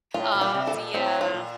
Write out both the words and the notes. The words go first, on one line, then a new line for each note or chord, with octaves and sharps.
Ah, see, yeah.
A2 F4
A#2
G3
C3
A4
A#2
A2 C4
F4
A#2